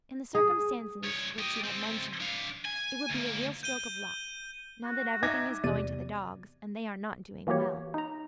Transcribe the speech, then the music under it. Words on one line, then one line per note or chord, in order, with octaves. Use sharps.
In the circumstances which you have mentioned, it would be a real stroke of luck, now that everything is going to the dogs, and they are not doing well.
G#4
G2 C#5
G4 D#5
C#2 C4
D4 F5
G#5
D2 A#3
G6 D#7 G7
F#4
D#4 E5 D6 G#6 A#6
E2 C3 D5 D#7
E3 A#3 F#4 G4 C#5
D#4 A#5